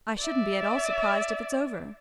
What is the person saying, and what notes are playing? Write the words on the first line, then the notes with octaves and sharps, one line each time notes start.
"I shouldn't be at all surprised if it's over."
D5 E5